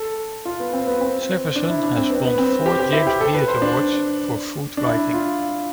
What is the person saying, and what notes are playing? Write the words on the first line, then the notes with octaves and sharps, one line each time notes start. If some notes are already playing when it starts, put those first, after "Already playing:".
Severson has won four James Beard awards for food writing.
Already playing: A4
F4
B3
C4
B3
C4
D4
E4
D4
C4
B3
B3
C4
G4
G4
E4
G4
A4
B4
C5
D4
D4
E4
F4